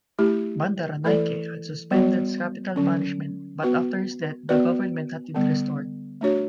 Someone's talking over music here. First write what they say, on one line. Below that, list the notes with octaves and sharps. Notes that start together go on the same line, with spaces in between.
Bandaranaike had suspended capital punishment, but after his death the government had it restored.
A3 E4 G4
E3 A3 E4 A4 D5
G3 B3 F#4 C#5
D3 F#3 C#4
B3 F#4 B4
B3 F#4 B4 D5
D3 G3 B3
A3 D4 F#4 C#5